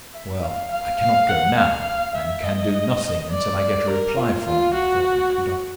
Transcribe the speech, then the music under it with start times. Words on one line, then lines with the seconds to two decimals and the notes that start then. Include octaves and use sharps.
"Well, I cannot go now, and can do nothing until I get a reply from her," thought Nekhludoff.
0.14 E5
0.43 F5
0.72 F5
1.00 F5
1.29 F#5
1.58 F5
2.15 E5
2.44 D#5
3.30 D5
3.60 D5
3.88 A#4
4.17 F4
4.46 F4
4.74 F#4